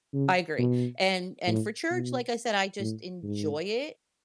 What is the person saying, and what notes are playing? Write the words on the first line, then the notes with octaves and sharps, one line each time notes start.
I agree. And and for church, like I said, I just enjoy it
C#3
B2
A2
B2
A2
G#2